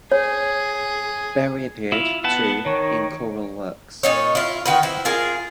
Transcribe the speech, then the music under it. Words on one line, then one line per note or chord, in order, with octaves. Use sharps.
Berry appeared, too, in choral works.
G#4 C#5
E4 F4
B3 F#5 A5
D#3 C#5
A#2 D#4 C#5
E4 F4
D#3 F#4 B4
E4 C5
F4 G#4 A#4